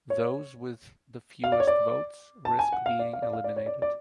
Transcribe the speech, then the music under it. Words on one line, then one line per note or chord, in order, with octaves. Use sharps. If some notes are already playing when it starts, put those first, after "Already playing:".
Those with the fewest votes risk being eliminated.
C#5
F5
D5
C#5
D5
A5
G#5
F#5
F5
D5
F5
D5
F5
D5
C#5
D5
D5